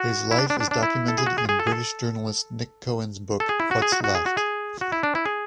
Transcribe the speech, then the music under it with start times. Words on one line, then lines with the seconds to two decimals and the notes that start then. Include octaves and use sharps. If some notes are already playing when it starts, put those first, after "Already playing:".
His life is documented in British journalist Nick Cohen's book "What's Left".
Already playing: F#4
0.31 E4
0.38 D4
0.50 D4
0.60 D4
0.71 D4
0.83 E4
1.08 A4
1.18 G#4
1.26 F#4
1.38 G#4
1.49 G#4
1.60 A4
1.67 G#4
1.71 A4
3.40 A4
3.49 G#4
3.60 E4
3.71 F#4
3.82 G#4
3.92 F#4
4.04 F#4
4.15 G#4
4.26 F#4
4.37 G#4
4.81 F#4
4.92 E4
5.03 D4
5.15 E4
5.26 G#4